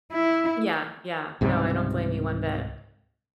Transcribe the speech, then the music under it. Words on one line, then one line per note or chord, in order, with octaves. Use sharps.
Yeah, yeah, no, I don't blame you one bit.
E4
C#2 G#2 C3 G3